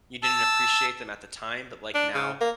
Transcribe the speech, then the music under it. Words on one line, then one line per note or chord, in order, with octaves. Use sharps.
you didn't appreciate them at the time, but, like, now,
A5 E6
D4
C#3
A#3